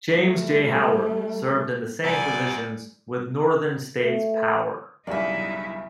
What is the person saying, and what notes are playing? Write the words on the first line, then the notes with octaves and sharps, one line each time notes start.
James J. Howard served in the same positions with Northern States Power.
G3 A3
C2 D5 G#5 A#5
A3
B1 G2 C#3 D#4 E4 D5 E5